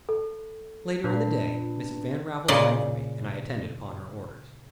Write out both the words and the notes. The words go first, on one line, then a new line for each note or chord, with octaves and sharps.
Later in the day, Mrs. Van Raffles rang for me and I attended upon her orders.
A4
A#2 D4 B4
A#2 C#3 D5 D#5